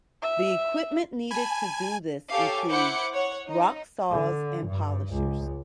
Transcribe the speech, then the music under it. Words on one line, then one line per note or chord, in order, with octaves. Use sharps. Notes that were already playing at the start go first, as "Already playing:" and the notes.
The equipment needed to do this includes rock saws and polishers.
E5
G#5 A5 B5
G4 A4 C#5 F5 G#5 D6
E4 C5 F#5 D6 G6 C#7
C#5 F#5
D#4
D3
G2
C#2